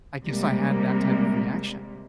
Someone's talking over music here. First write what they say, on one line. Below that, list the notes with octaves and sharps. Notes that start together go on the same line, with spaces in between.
I guess I had that type of reaction.
C3 G3 G#3 A#3